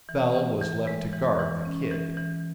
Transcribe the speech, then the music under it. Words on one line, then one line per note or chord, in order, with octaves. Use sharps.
Bell was left to guard the "Kid."
E3
E3
E3
G#3
E3
E3
C#4
E3
E3